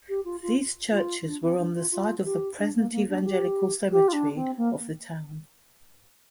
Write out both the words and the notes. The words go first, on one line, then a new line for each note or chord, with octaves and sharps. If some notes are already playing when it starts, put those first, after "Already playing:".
These churches were on the site of the present Evangelical cemetery of the town.
G4
F4
F4
F4
D4
C4
D4
F4
F4
G4
D4
A#3
A#3
D4
G4
G4
F4
D4
C4
A#3